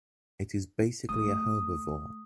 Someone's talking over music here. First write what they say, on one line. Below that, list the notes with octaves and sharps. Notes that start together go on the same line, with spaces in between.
It is basically a herbivore.
A3 D#6